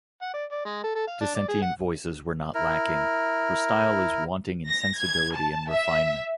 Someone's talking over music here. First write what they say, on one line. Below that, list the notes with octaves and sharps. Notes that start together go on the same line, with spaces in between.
Dissentient voices were not lacking; 'her style is wanting in sensibility and refinement.
F#5
D5
D5
G#3
A4
A4
F5
D4
D5
G#4
F#5
E4 A#4
A#6
G#6
A5
E5